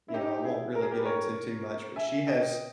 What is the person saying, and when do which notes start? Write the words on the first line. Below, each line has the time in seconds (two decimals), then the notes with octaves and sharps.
you know, I won't really get into too much, but, she has
0.08 E4
0.14 D#4 G4
0.44 E4 G#4
0.75 A#4
0.82 G#4
0.91 G4 A#4
0.99 B4
1.05 A#4 C#5
1.96 E5 G#5
2.27 D#5 G5